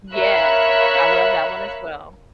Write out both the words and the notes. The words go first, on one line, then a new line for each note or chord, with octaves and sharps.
Yes, I love that one as well.
A#4 C#5 E5 F5 B5 F#6